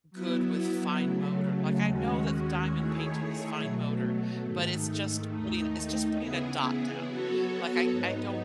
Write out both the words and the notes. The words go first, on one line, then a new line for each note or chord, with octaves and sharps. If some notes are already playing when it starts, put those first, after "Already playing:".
good with fine motor. Like, I know that diamond painting is fine motor, but it's just putting it's just putting a dot down. Like, I I don't
F#3 B3 E4
C#3 F#3 A3
D#2 D#3 G#3 C#4 F#4
D#3 A3 E4 G#4 C#5
B2 F#3 A3
G#2 D#3 A3
D#2 D#3 A3 D#4
C#3 E3 B3 E4 G#4
F#3 B3 F#4 A4 C#5
G#2 F#3 B3 D#4